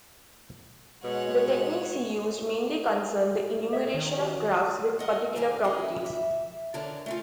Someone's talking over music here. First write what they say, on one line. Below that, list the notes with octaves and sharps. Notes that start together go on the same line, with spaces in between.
The techniques he used mainly concern the enumeration of graphs with particular properties.
B2 G#3 C#5 F#5
C#5 E5
D#3
F#4 G4
A#4 D#5 F#5
G2 D#3 D#4 A#4 G#5
C#4 E4 G#4 D#5
E5
E2 D3 A#4 C#5 A5
A3 C#4 F4